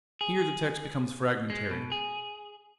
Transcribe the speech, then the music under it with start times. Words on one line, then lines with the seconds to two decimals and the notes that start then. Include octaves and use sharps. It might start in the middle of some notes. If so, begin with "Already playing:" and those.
Here the text becomes fragmentary.
0.21 G#4
1.50 G#3
1.71 B2
1.92 G#4